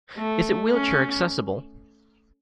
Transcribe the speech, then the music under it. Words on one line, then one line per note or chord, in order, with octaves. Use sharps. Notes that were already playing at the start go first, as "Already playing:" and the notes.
Is it wheelchair-accessible?
A3
C#4